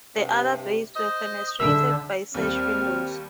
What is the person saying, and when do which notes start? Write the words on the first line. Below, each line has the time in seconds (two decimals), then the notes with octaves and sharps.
The other bays were fenestrated by sash windows.
0.15 G2 C3
0.95 C5 D#5
1.60 D3 G#3 E5 E6
2.34 D#2 G3 C4 F6